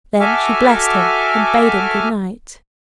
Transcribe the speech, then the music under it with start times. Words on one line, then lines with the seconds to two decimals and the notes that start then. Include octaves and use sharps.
Then she blessed him, and bade him good-night.
0.20 F#4 A4 E5 G#5 D6 F6